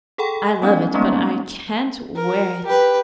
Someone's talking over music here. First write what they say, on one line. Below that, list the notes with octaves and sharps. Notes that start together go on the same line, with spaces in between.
I love it, but I can't wear it.
G#4 A4 F#5 G5 B5
F#3 B3 C#4 D#4
G3 G#3 A#3 B3 C#4 D#4
A#4
G4 B4